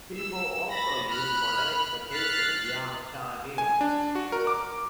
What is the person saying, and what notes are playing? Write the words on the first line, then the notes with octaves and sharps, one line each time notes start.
People also use phonetic notation beyond Chinese.
E6
B5 A6 A#6
B5 F6 F#6
F6 F#6 A6 B6 C7
G#5
D4
F#4
A#4
D6